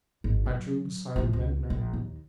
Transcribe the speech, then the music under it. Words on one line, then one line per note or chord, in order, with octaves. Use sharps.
I drew beside Ventnor.
G#1
F#3
A2 F3
C#2
A#1
D#2